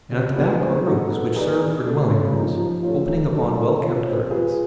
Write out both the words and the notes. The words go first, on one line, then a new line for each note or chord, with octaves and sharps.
And at the back are rooms, which serve for dwelling rooms, opening upon well-kept gardens.
C#3
F3 G#3 B3 D4
C4
D#4 F#4 A4
B3
D#4 G#4 B4 D5
E3
A3 D4
C#3
F3 A#3 D#4
F3
A3 C#4 F4
D#3
F#3 A3 D4
A#3
C#4 F4
C4
F4 G#4 B4